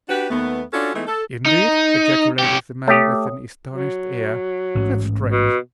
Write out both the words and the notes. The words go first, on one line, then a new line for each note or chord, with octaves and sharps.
"Indeed!" ejaculated the man with an astonished air, "that's strange!"
D4 F#4 G4 B4
D#2 A3 B3
C#4 D4 F4 F#4 A4
E3 G#3 A3 B3 D#4
A4
D#4
C#4 G4
A3 G4 C#5 D#6
F#3
A1 G#2 C#4
B2